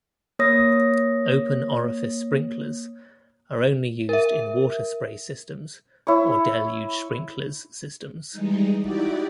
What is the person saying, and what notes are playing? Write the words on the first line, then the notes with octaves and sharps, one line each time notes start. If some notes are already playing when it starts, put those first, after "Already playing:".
Open orifice sprinklers are only used in water spray systems or deluge sprinklers systems.
A#3 C#5 D#6 A#6
A#4 E5
E4 C#5
E3 G3 G#3 D#4
D#4 E4 F#4 G4 D5